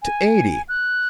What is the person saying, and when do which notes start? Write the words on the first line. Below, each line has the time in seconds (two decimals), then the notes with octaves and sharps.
To eighty! ...
0.02 G#5
0.69 F#6